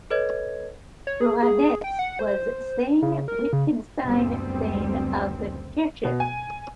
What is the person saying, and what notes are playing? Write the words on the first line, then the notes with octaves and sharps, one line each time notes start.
Johanette's was Sayn-Wittgenstein-Sayn-Altenkirchen.
A4 B4 C#5 D#5 G#6
C#5
G#4
G#4
G5
F#5
C5
C#3
A#4
C#3
F#1 D2 A#2 G3 B3 C4
B2
G#5